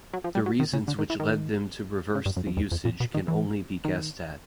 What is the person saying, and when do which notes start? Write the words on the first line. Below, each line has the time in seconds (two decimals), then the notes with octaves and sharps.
The reasons which led them to reverse the usage can only be guessed at.
0.13 F#3
0.24 F3
0.35 G3
0.46 F#3
0.60 D#3
0.73 C#3
0.88 D3
0.99 D#3
1.10 E3
1.20 D#3
2.15 C#3
2.26 G2
2.36 F#2
2.47 F2
2.57 E2
2.72 F2
2.85 A#2
3.00 B2
3.14 D#3
3.28 E3
3.85 D#3